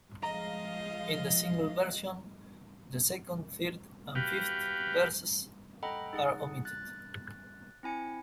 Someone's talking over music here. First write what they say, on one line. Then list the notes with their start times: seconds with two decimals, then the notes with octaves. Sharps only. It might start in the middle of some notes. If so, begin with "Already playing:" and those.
In the single version the second, third, and fifth verses are omitted.
0.22 F3 G#3 D#5 F5 A#5
4.15 F#4 G4 B4 F5 G5
5.83 A4 D#5 F#5 G5 A#5 B5
6.13 D#4 G#4 F#5
6.65 F#6 A6
7.83 C4 E4 G#5 C#7